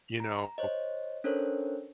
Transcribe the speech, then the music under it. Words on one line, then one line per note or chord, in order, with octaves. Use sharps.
you know?
A#5
C5 C#5 D#5
C#4 D4 A4 A#4 C5 C#5